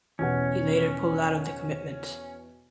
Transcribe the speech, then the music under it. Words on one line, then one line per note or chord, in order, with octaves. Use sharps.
He later pulled out of the commitment.
E2 B2 C#4 F#5